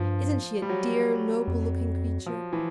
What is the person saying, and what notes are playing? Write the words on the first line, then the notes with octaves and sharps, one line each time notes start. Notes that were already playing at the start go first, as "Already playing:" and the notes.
"Isn't she a dear, noble-looking creature?"
Already playing: G2 F3
G3
F#3
F2
F3
E3